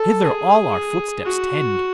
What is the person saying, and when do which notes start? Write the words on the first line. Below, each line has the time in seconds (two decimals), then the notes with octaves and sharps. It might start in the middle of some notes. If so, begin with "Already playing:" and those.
Hither all our footsteps tend.
Already playing: A4
0.25 G#4
1.25 F#4